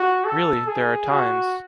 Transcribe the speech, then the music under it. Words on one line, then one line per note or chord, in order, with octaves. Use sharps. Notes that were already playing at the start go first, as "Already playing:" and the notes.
Really, there are times...
Already playing: F#4
A4
G#4
F#4